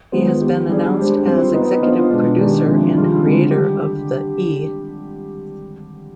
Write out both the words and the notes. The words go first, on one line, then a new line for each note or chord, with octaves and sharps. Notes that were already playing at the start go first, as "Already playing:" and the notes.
He has been announced as executive producer and creator of the E!
D#3 G#3 B3 F4 C5
B3 D#4 G4
G3 D4 G#4 D5
G#3 D4 G4 C5
G3 C4 F4 C5
B3 D#4 B4 D#5
B3 D4 F4 C5 D#5
B2 G#3 B3 D4
D#3 G#3 D4 G4 D5
C3 F3 G#3 D4
D#3 G3 D4 F4 G#4
D3 G#3 C4
G3 D4 G4